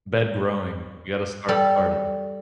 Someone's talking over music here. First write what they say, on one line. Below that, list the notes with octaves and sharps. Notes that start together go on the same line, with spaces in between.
Bed growing. We gotta start start it.
G3 A4